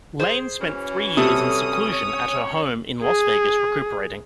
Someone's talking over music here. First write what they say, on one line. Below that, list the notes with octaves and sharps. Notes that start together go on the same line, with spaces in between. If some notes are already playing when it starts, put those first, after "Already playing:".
Lane spent three years in seclusion at her home in Las Vegas recuperating.
G#4 C5
E3 F#3 C#4
C3 G3 A4 A5 D#6
C#4 C#5
G#4